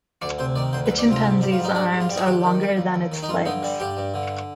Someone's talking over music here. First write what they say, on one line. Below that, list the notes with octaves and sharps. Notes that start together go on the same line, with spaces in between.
A chimpanzee's arms are longer than its legs.
D2 D5
C3 C5
D#3 D5
D2 C5
B4
D2
D5
C3 F4
G#2
G3
F4
G#2
D#4
G3 D4
G#2
F4
G3
G#4
D#2 G4
D#3
G3
D#2
D#2
D#3
D#4
G2 F4
D3 D#4
G3
G2 G4
G2
D3